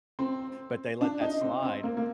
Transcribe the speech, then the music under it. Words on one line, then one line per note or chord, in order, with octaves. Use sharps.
But they let that slide
C4
D4
D#4
C4
C4
A#3
A#3